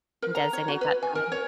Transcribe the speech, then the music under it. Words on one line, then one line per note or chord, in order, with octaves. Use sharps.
and designate that time.
A#4
A#5
C#5
F#4
B4
G#5
A#4
C#5